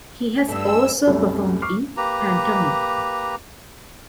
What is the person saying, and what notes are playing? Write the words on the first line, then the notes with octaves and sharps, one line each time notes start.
He has also performed in pantomime.
G2 A3 D4 E6
C2 F#2 G3 A3
C#6 D6 F6 C7
A#3 G4 B4 A#5